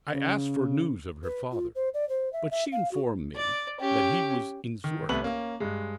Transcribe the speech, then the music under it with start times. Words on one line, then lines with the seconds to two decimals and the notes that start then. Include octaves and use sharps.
I asked for news of her father, but she informed me that he was in Zurich.
0.13 C#3
1.24 B4
1.52 F4
1.75 C5
1.94 D5
2.09 C5
2.33 E5
2.51 E5
2.72 F5
2.91 F#4
3.36 D5
3.80 C#4 G4
4.84 D#3
5.09 C2 A3 B3 B4 F#7
5.22 A#3 C#4
5.60 G2 G#3